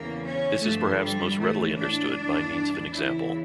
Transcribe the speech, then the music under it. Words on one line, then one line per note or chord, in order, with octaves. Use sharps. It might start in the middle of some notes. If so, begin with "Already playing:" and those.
This is perhaps most readily understood by means of an example.
Already playing: E2 C#3 E3 A#3
C#4
G2 D3 F3 A3
G3
A2 E3 A3
D4
G2 E3
E2 C#3 E3 E4